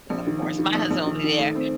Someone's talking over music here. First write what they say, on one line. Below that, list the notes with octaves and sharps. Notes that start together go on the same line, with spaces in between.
and of course, my husband will be there,
A#1
D#3
A#1
D#3
A#1
A#1
D#3
D#3
A3
C4